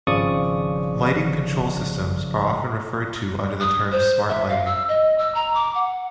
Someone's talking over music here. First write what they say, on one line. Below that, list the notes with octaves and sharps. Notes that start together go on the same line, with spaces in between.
Lighting control systems are often referred to under the term Smart Lighting.
G#1 C#3 F3 D5 C#6 D#6
D#6
C5
E5
F5
E6
D#5
E6
A#5
D6
F#5